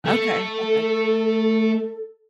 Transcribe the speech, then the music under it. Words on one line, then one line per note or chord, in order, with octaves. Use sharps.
Okay, okay.
A3 A4